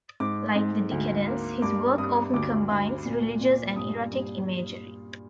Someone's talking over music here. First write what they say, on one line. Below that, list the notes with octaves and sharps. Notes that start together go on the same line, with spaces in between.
Like the Decadents, his work often combines religious and erotic imagery.
G#2 D6
G#2
D2
A#3
G2 D6
G2 D#6
D2 D6
D2
A#2
A#2
G2 D#6
G2